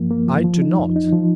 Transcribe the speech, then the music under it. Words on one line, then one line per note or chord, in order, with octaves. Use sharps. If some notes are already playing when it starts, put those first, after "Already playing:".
I do not.
Already playing: G2 F3 A#3
A#3
F3
F3
D#4
F2
D#4
F3